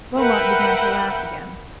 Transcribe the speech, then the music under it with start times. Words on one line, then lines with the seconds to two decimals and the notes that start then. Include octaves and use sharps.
Beaumont began to laugh again.
0.17 A#4 B4 E5 F#5 G5